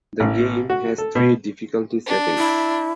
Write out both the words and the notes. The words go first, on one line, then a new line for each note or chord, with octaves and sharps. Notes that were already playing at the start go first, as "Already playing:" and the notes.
The game has three difficulty settings.
A1
F#4
A4
B2
D4
E4